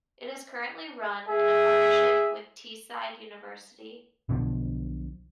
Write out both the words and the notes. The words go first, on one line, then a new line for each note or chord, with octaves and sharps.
It is currently run in a partnership with Teesside University.
G#4 E5
B1 B2 D3 F3